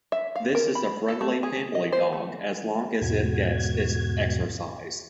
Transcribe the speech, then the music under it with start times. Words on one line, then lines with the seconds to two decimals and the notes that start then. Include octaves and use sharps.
This is a friendly family dog, as long as it gets its exercise.
0.12 E5
0.36 F5
0.55 A#4
0.75 B5
1.08 A4
1.21 A3
1.43 G#4
1.75 D#5
1.92 C5
2.13 A3
3.01 E2 G#2 B2 F#4 G#6